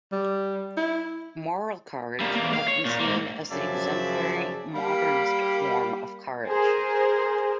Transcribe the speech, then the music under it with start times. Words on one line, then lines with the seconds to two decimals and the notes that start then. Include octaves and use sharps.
Moral courage has been seen as the exemplary modernist form of courage.
0.12 G3
0.77 E4
2.20 G3 A#3
2.35 E2 A#3
2.54 F5
2.68 C#5
2.85 A#2
3.00 G#2 A#3
3.51 F#2 C#3 F3 D5 E5 A5
4.75 G3 A#3 B5
6.47 G#4 A#4 C5